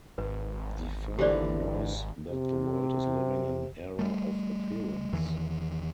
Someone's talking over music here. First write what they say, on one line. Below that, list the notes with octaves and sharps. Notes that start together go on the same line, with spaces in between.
Defao knows that the world is living an era of appearance.
G#1 B4
D3 E3 G4 C5 D5
C3
G3 A3
E2 D#3 E3